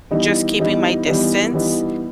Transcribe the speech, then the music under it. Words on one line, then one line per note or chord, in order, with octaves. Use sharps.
just keeping my distance.
E3 G3 B3 D#4
E3 G3 B3 D#4
E3 G3 B3 D#4
E3 G3 B3 D#4